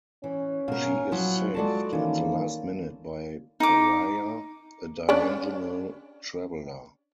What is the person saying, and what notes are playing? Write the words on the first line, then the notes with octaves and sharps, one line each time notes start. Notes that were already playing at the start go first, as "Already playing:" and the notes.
She is saved at the last minute by Pariah, a dimensional traveler.
E3 C#4
B2 A#4 F5
F3 F#3 E4
G#3 F4 F#4 A4 D5 A5
D#3 E3 A#3 C#4 D#4
D#4 D6
C#4 D4 D5